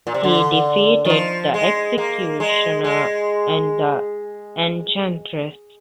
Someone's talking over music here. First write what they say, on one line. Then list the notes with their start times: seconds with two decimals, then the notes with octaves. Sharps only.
He defeated the Executioner and the Enchantress.
0.07 A#2
0.14 C3
0.23 D3
1.05 D#3
1.10 F3
1.54 G#3
1.98 A#3
2.40 G#3
2.84 G#3